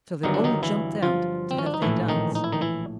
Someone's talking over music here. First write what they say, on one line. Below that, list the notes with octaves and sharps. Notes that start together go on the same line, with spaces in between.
So they all jumped out to have their dance.
G1 G2 D#3 F#3 D#4
D4
D#3 D#4
E3 E4
F3 F4
C4
C#4
D4
D#4
A#1 A2 E3 A3 E4
D#3 D#4
D#4
E4
D#3 D#4
E3 E4